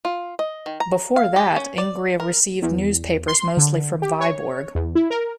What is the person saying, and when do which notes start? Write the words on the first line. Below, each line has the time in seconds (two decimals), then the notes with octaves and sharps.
Before that Ingria received newspapers mostly from Vyborg.
0.05 F4
0.39 D#5
0.66 D#3
0.80 A#5
1.16 F5
1.36 G4
1.56 C#4
1.78 D5
2.20 A#4
2.62 E2
3.28 C6
3.57 D3
4.02 G4
4.21 C#5
4.75 E2
4.95 E4
5.10 A#4